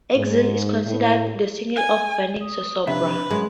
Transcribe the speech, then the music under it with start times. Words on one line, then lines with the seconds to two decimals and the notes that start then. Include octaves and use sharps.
"Exiled" is considered the single of "Burning Sosobra".
0.17 G#2
0.86 A2
1.76 G#5
2.41 D#6
2.87 F2 C3 D4 B4 E5
3.31 F#2 G#3 A#4